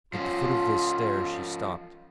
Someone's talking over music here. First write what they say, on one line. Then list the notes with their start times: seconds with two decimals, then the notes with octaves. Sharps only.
At the foot of this stair she stopped.
0.14 F3 C#4 F4